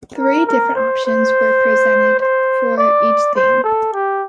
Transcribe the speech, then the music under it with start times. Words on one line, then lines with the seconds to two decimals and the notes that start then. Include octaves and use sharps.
Three different options were presented for each theme.
0.18 A#4
0.47 A#4
0.75 C5
1.05 C5
2.20 C5
2.78 D5
3.35 C5
3.64 A4
3.93 G4